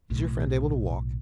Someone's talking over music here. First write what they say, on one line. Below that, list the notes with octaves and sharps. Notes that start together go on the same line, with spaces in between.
"Is your friend able to walk?"
B1 A2